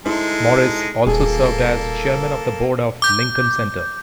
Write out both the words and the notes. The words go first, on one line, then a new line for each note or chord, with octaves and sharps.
Morris also served as chairman of the board of Lincoln Center.
G#3 D#4 E4 A4 C5
D#1 A#3 G#4 A4
D6 G6